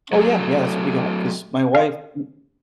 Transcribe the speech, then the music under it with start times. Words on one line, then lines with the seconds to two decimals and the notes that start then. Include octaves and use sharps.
Oh yeah, yeah, that's what we got, 'cause my wife y
0.13 F#3 A3
1.75 F5